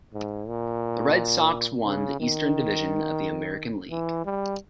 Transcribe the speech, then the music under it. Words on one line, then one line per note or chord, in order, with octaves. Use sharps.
The Red Sox won the Eastern Division of the American League.
G#2
A#2
C#3
D#3
E3
G3